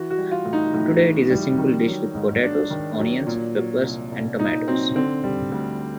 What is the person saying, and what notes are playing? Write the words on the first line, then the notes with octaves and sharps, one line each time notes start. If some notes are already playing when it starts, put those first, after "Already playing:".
Today it is a simple dish with potatoes, onions, peppers, and tomatoes.
Already playing: E3 F#4
F#4
G3
F4
A2
D#4
A2
E3
G3
D#3
F#3
G#2
G#2 D4
D#3
F#3
A#2
F#3
C2
C2
A#2 D#4
F#3 C4
D3 C4
G3
D2